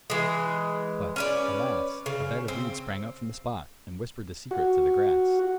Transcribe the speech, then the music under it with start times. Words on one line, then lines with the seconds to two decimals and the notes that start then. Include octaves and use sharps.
But, alas, a bed of reeds sprang up from the spot, and whispered the secret to the grass.
0.10 E3 G#3
1.16 C#4 B4 D5
2.06 C#3
2.48 C4
4.51 F#4